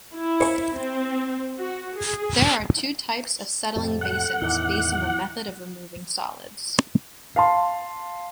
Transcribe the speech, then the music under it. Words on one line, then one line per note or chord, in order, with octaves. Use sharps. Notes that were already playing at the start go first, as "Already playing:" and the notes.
There are two types of settling basins, based on the method of removing solids.
E4
C4
F#4
G#4
F2 A2 C3 A4
F#5
E2 A2 D#3 E4 D6
F5 A5 C6